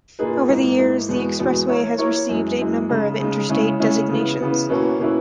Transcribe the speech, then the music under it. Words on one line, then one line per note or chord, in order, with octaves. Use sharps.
Over the years, the expressway has received a number of Interstate designations.
A#2 A#3 D#4 G#4 B4
G#2 E3 A#3 D#4
G#2 E3 A#3 D#4
E2 B2 G#3 B3 F#4
E2 B2 G#3 B3 F#4
E3 A#3 E4 A#4 C#5
E3 A#3 E4 A#4 C#5
F#2 E3 G#3
F#2 E3 G#3
C#3 G#3 D#4
C#3 G#3 D#4
C#3 G#3 C#4 E4
C#3 G#3 C#4 E4
C#3 E3 B3
C#3 E3 B3
B2 A#3 C#4 E4 B4
B2 A#3 C#4 E4 B4